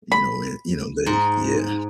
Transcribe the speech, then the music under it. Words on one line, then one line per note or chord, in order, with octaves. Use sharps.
You know, it you know, they yeah.
B5
G#2